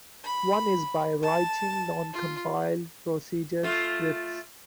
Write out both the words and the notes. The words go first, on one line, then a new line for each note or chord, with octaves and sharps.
One is by writing non-compiled procedure scripts.
B5
A5
F4
A3 F4